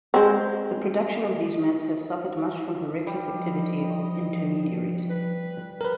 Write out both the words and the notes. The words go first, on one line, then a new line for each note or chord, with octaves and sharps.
The production of these mats has suffered much from the reckless activity of intermediaries.
G#3 C4
D#3 G3
F3 D#5
B4
A#4 B4